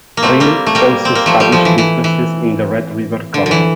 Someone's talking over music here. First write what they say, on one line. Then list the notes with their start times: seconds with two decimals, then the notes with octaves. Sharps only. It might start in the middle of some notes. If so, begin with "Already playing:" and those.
Riel also established businesses in the Red River Colony.
0.17 A#3
0.23 A3 C4
0.40 G3 A#3
0.67 A3
0.75 G3 A#3
1.05 C4
1.15 A#3
1.26 F3 A3
1.40 G3
1.52 F3
1.65 E3
1.78 E3
2.04 E3
3.34 D3
3.46 D3
3.51 E3